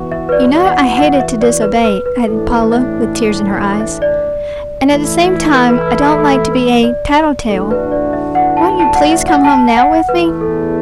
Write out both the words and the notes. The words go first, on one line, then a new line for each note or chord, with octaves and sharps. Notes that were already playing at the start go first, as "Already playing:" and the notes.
"You know I hated to disobey," added Paula, with tears in her eyes, "and at the same time, I don't like to be a 'tattle-tale.' Won't you please come home now with me?"
Already playing: E3 B3 F#4
E5
B4
D5
F#5
F#5
E5
D5
B4
B4
B4
A2 E3 D4 A4
B4
E5
E5
D5
E3 A3 E4
B4
B4
B4
A4
A4
B4
D5
A2 E3 D4 F#4 A4
B4
D5
E5
F#5
A5
A5
F#5
E5
F#5
A5
F#5
E2 E3 A3 B4
A4